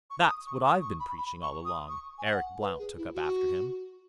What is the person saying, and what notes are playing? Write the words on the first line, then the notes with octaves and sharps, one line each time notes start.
"That's what I've been preaching, all along," Eric Blount took up after him.
C#6
D#6
C#6
D#6
C#6
B5
B5
C#6
D#6
C#6
G#5
F#5
B4
G#4
E4
F#4